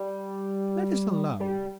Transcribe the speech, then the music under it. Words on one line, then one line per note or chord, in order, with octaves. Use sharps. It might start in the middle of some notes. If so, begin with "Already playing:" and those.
Let us alone.'
Already playing: G3
G3